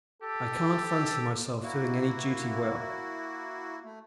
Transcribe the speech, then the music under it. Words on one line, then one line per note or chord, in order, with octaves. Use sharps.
I can't fancy myself doing any duty well.
G4 A4
A#3 E4 F#4
A3